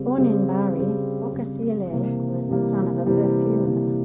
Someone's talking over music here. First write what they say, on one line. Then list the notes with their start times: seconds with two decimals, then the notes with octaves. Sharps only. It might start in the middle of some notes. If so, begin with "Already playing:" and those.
Born in Bari, Boccasile was the son of a perfumer.
Already playing: C#3 G3 C4
0.18 C#3 G3 C4
0.76 C#3 G3 C4
1.33 C#3 G3 C4
1.91 C3 E3 G3 A#3
2.49 C3 E3 G3 A#3
3.06 C3 E3 G3 A#3
3.64 C3 E3 G3 A#3